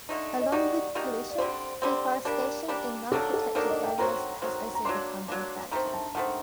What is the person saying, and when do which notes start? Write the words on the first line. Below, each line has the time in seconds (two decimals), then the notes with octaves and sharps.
Along with pollution, deforestation in non-protected areas has also become a factor.
0.09 D3 A3 D#4
0.41 D#5
0.52 G3 A#3 D#4 F#4 D5
0.95 G3 A#3 D#4 F#4
1.30 D5
1.38 D3 G3 C4 C5
1.82 D3 G3 C4
2.25 G3 A#3 D4 A#4
2.68 G3 A#3 D4
3.12 D#3 F#3 A#3 D4 A4
3.34 A4
3.55 D#3 F#3 A#3 D4 A#4
3.69 D#5
3.84 G5
3.98 D#3 F#3 C4 F#4 A#5
4.42 D#3 F#3 C4 F#4
4.75 A#5
4.85 F#3 A#3 D4 C6
5.28 F#3 A#3 D4
5.71 D#3 A3 C4 A#5
5.93 A5
6.15 D#3 A3 C4 F#5